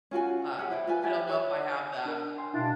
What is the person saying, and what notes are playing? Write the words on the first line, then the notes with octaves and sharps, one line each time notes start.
uh, I don't know if I have that
C#4 F4 F#4 G#5
G4 G#4 F#5
E4 C5 D5
F4 B4 G#5
E4 G4 G#5
E4 A4 C#5
D4 A#4
G5 G#5 C6
B2 D4 E4 F5 C6